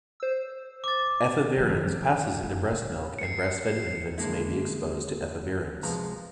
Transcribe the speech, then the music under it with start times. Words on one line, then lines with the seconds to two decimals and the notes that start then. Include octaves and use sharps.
Efavirenz passes into breast milk and breast-fed infants may be exposed to efavirenz.
0.20 C5 E6
0.84 D6 A6
1.56 D#3 F3
2.43 F#2 D#4
2.71 C#3 C#4
3.19 C7 C#7
4.18 D3 G#3 A#3 E4
5.83 C3 F3 G#3 B3 A#5